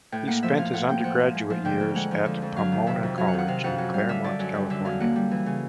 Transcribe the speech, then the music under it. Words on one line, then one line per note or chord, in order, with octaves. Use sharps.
He spent his undergraduate years at Pomona College in Claremont, California.
A2 G5
A#3 F#5
F3 E5
A2 F5
A2 F#5
A#3 G5
F3 F#5
A2
G#3
F3
D3 G5
F2
G#3 F#5
F3
D3
F2
F#3 F5
D#3
C3 E5
F2
F#3 F5
F#5
D#3
F#5
C3 F5
F2 F#5
F#2 F#5
G3 F5
D3 E5
F#2 D5
F#2
G3
D3 E5
F#2 F5
A#3 F#5
G3
E3
C#3